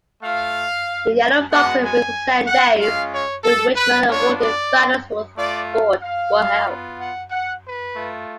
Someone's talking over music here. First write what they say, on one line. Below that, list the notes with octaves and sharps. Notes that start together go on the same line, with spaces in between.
The yellow boxes represent days during which medal-awarding finals for a sport were held.
A3 F4 F5
G#3 B3 F#4 F#5
G#5
F#5
G#3 C#4 F4 F5
C#5
A4
B4
B3 D4 F4 C#5
D5
A3 F4 D5
F5
F5
B3 F4
F#5
F#5
B4
A3 F4